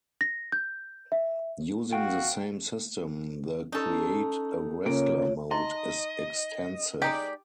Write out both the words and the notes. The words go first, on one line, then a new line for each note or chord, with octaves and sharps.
Using the same system, the Create-a-Wrestler mode is extensive.
A#6
G6
E5
F#4 F5 G5
C#4 D#4 A4
C#3 A#3 F4 C#5 D7
D#4 D#5 A#5 C6
G#3 D#4 G4 D5